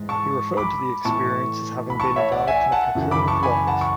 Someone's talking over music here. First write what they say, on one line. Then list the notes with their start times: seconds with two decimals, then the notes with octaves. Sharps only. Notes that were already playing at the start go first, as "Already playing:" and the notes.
He referred to the experience as having been enveloped in a cocoon of love.
Already playing: G#2 E3
0.09 A5 C#6
0.57 B5 D6
1.05 A2 E3 A5 C#6
1.90 B5
2.00 A5 C#6
2.16 C#5 E5
2.32 D5 F#5
2.47 E5 G#5
2.72 F#5 A5
2.95 F#2 C#3 E3
3.11 B5 D6
3.27 A5 C#6
3.43 G#5 B5
3.67 F#5 A5
3.81 C#6